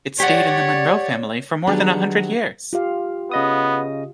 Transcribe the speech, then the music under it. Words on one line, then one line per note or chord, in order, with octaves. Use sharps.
It stayed in the Monro family for more than a hundred years.
G4 C#5 D5 F#5
D#3 F#3 G3 B3 D4 G#4
F4 G4 F5
C#3 B3 D#5 D#6